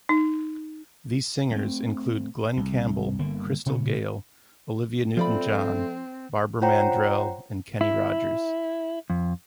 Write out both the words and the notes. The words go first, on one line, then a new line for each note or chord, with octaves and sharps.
These singers include Glen Campbell, Crystal Gayle, Olivia Newton-John, Barbara Mandrell, and Kenny Rogers.
D#4
A3 B3 C4
C2
G1 D3 A#3
A#2 C#3 C#4
F3 A3 C4 F4 D5 B5
F4 C5 C#5 F#5 G5 A#5
E4
F2